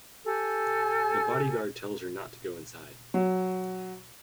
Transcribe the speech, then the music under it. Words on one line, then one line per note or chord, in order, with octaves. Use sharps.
The bodyguard tells her not to go inside.
G4 A4 G#5
F#3